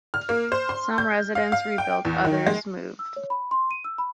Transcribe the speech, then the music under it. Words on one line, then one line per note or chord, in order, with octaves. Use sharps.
Some residents rebuilt, others moved.
F6
A#3
C5
C6
G6
F5
F5
G5
E2
D#3
G#3
E6
C#5
B5
C6
D#7
E6
B5